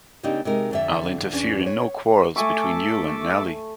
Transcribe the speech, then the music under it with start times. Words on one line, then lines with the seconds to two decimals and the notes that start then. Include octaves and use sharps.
I’ll interfere in no quarrels between you and Nelly.
0.23 C#3 A#3 C4 D4 D#4 G4
0.45 C3 G#3 D#4 A#4
0.71 F2 D3 E5
1.32 E2 C#4 D4
1.67 C#5
2.36 A3 A4 E5 G#5 C#6 D6